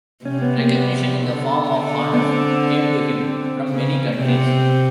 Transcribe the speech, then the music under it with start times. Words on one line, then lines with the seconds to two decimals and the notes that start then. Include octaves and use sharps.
Recognition in the form of honours came to him from many countries.
0.25 C3 C#4
0.42 B3
0.58 A#3
0.74 B3
1.24 D3
1.73 D3
2.13 B3
2.21 C4
3.20 C4
3.69 C#3
4.19 C3 C4
4.28 B3
4.37 C4